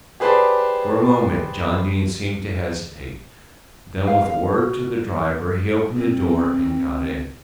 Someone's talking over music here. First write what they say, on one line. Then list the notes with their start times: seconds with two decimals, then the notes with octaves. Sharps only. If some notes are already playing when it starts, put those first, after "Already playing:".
For a moment John Dene seemed to hesitate, then with a word to the driver he opened the door and got in.
0.20 G4 G#4 B4 C5 D5 A5
4.07 F5
4.24 F5
4.58 F#4
5.97 C4